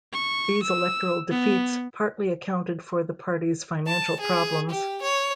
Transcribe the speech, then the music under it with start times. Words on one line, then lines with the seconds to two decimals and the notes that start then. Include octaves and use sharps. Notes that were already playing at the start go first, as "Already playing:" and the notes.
These electoral defeats partly accounted for the party's financial problems.
0.13 C#6
0.63 E6
1.31 B3
3.87 A5
4.20 G#4
4.70 G4
5.02 C#5